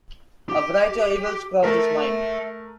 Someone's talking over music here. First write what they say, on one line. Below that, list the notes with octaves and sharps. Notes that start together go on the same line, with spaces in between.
A variety of evils crossed his mind.
G4
A3 A#4 E5 A5